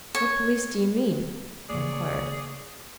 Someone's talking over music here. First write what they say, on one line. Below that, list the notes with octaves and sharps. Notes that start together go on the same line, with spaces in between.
"What police do you mean?" I inquired.
C#5
C#3 A#3 G#4 C#5 D5